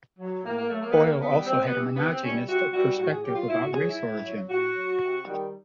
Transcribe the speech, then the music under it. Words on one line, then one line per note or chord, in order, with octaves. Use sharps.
Boyle also had a monogenist perspective about race origin.
F#3
A2 A#3
A#3
F#3 A3
A#3
B3
C3 A#3
E3 G3 B3
C3 C4
B3
E3 G3
C3 B3
C4
E3 G3 C#4
C3 F#4
E3 G3 F#4
A2 F#4
G#4
F#3 G4
F4
A2 E4
F#4
F#3 G#4
E4
A2
F#3
A2 F#4
F#3
C3
D#3 G3